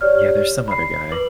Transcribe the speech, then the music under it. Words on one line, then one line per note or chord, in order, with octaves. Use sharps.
Yeah, there's some other guy.
G4 C#5 D5 F6
B5 C7
B4 D6 F#7